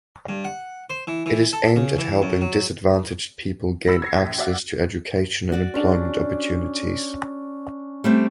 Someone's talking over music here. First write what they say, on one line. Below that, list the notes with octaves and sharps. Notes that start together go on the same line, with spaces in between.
It is aimed at helping disadvantaged people gain access to education and employment opportunities.
G2
F#5
C5
E3
E3
A4
C#3
E3
F#2
F#3
F#3 B5 E6 C#7
G#6 A#6 C7
A#1 B6
F#4 D5 E5 F5
F#4 D5
C#4 D4
G3 A3 C4